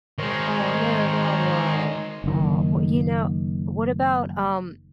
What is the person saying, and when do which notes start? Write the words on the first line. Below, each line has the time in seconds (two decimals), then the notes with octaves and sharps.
Oh no, now what? Aw, well, you know, what about, um,
0.18 D#3 G#3 A#4 C5 C#5
2.24 F#1 D#3